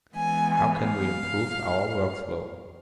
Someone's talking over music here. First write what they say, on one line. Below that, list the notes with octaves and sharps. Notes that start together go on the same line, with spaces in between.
How can we improve our workflow?
E3 G#3 B3 G#5
F5